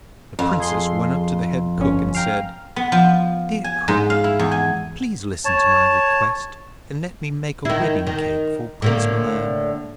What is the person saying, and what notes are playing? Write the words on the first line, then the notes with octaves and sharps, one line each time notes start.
The Princess went up to the head cook, and said, 'Dear cook, please listen to my request, and let me make a wedding-cake for Prince Milan.'
F2
G#4 C6
G1 C#4
F5 G5 A#5
B3
F3
G#5
G#2
F5
E4
E2
G#5
C#5 A5
D#3 E4
D#3
A2 D3 A#3